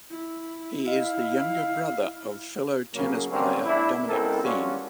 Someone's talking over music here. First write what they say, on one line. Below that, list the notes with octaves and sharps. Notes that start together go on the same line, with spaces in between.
He is the younger brother of fellow tennis player Dominic Thiem.
E4
D#5 F5
C#3 F#3 A#3
G2 D3 G3 A#3 C4 C#4
E2 A2 D4 E4
C#2 B3 C4 E4 A4 A#4
G3 C#4 D4 F4 F#4